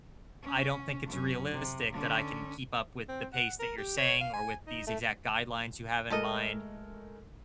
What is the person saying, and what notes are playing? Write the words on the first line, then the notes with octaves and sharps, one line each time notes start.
I don't think it's realistic that I can keep up with the pace that you're saying or with these exact guidelines you have in mind."
C#4
F#2 C#4
C3
D3 C#4
C4
F#5
A#4
G4
C#5
F5
G#5
D#4
A3
G#3 A3 G4 A4 A#4 D#5